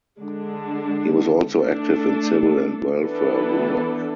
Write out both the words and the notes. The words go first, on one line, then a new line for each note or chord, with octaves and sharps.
He was also active in civil and welfare work.
D3 G#3 D4
A3 D4 A4
E3 B3 D4 A4